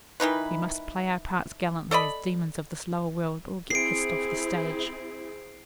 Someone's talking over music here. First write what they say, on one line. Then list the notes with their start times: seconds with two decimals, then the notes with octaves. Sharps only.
We must play our parts gallantly, as demons of this lower world, or get hissed off the stage.'
0.20 D#3 E3 D#4 B4
1.91 A4 D5 D#5 B5
3.70 C4 E4 G#4 C7 D7